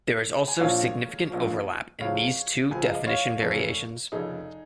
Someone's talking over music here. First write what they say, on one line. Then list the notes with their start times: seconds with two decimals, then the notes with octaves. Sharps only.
There is also significant overlap in these two definition variations.
0.48 G#5
0.59 A#1 A#2 F3 C#5 F5
1.30 A#1 A#2 F3
2.00 C#2 C#3 F3 C#5 F5
2.71 C#2 C#3 F3 G#5
2.83 F5
2.95 D#5
3.07 C#5 F5
3.41 F1 F2 C#3
4.12 F1 F2 C#3 D#4 G#4